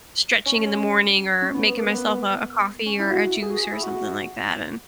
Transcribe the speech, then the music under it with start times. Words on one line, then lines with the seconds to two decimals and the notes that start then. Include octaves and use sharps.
stretching in the morning or making myself a a coffee or a juice or something like that and
0.46 C#4
1.42 C#4
1.54 B3
1.66 B3
1.78 A#3
1.90 B3
2.86 C#4
2.99 E4
3.11 F#4
3.42 G#4
3.50 F#4
3.58 G#4
3.73 E4
3.83 F#4